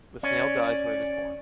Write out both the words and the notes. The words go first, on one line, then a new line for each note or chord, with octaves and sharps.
The snail dies where it is born.
C#4 D5